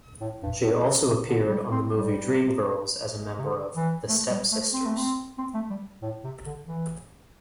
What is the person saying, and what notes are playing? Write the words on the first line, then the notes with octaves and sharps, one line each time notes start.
She also appeared on the movie Dreamgirls as a member of 'The Stepp Sisters'.
A2
G2
A2
C3
C3
D3
G3
C4
G3
C3
D3
E3
A3
G3
A3
C4
A3
C4
C4
A3
G3
A2
C3
D3
E3